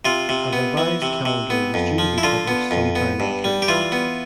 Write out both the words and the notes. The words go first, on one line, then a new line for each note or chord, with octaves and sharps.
A revised calendar was due to be published sometime after Easter.
C3 F4
C3
B3
E3
C3
C3
B3
F2
F3
E4
D3 F4
B3
F2
B3
G2
G3
G4
E3 F4
B3